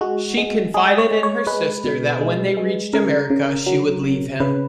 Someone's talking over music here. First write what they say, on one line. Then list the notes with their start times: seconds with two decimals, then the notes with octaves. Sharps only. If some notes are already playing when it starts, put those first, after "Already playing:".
She confided in her sister that when they reached America she would leave him.
0.01 G#3 F#4
0.38 G#3
0.74 G#3 G#4
0.98 C#5
1.11 G#3
1.23 C#5
1.47 G#3 B4
1.84 B2
2.21 G#3
2.57 G#3
2.93 C#3 A#4
3.30 C#3
3.67 F#3
4.03 C#3
4.40 C#3 B4